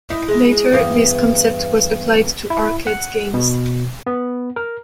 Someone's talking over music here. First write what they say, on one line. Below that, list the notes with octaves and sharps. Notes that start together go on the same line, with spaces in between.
Later, this concept was applied to arcade games.
D#4 E4
G#3
E2 G2 B3
E4
F#5
B2
B3
A#4